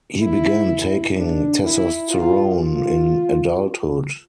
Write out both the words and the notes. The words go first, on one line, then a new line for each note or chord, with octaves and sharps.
He began taking testosterone in adulthood.
E4
D4
E4
F4
F4